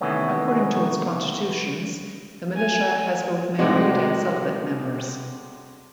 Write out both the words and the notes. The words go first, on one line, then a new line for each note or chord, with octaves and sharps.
According to its constitutions, the Militia has both married and celibate members.
C3 D#3 E3 A3 B3 C#4
G#5
A2 C3 G3 G#3 D#4 F#4